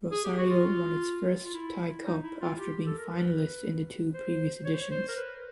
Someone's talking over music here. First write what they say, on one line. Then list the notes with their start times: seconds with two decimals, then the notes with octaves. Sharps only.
Rosario won its first Tie Cup after being finalist in the two previous editions.
0.12 G#4
0.24 G4
0.38 F#4
0.50 F4
1.44 F4
1.54 E4
2.05 D#4
2.23 E4
2.40 F4
2.57 G4
2.86 A4
2.98 A#4
3.09 B4
4.13 C5
4.65 C#5
4.73 C5
4.81 C#5
4.91 C5
5.08 A#4
5.16 B4